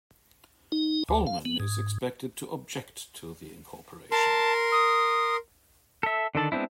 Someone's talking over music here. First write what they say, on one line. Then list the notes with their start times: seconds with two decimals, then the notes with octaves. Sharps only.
Holmen is expected to object to the incorporation.
0.72 D#4
1.09 D2
1.27 F5
1.45 B3
1.60 G#2
4.11 A#4 A5 C6
4.72 D#6
6.03 A4 E5
6.35 D3 D#3 A4 D5
6.52 G#3 B3 C4 D4 E4